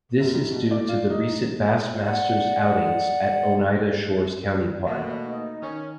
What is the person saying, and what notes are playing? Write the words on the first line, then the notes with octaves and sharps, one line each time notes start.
This is due to the recent Bass Masters outings at Oneida Shores County Park.
F#2
G3
B2
D5
F4
D#4
D5 F#5
B2 A3 A#3
D#4
D#3 C#4